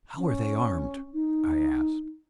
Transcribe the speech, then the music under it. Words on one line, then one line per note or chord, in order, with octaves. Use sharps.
"How are they armed?" I asked.
C#4
D#4